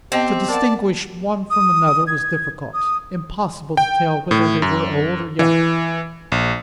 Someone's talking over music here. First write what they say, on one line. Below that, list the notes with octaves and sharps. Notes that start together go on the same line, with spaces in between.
To distinguish one from another was difficult; impossible to tell whether they were old or young.
B3 C4 G4 D#5 A5
A#4 D5 F#5 A5
D#6
G#6
D#6
G5
A2
F#2
E3
A#1